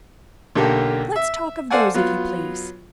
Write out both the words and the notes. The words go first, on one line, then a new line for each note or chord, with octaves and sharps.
Let us talk of those, if you please.
B1 D3 A#3 G4 A4 A#4
E5
A4 C5 D5 F5 F#5 G#5
F#3 B3 F4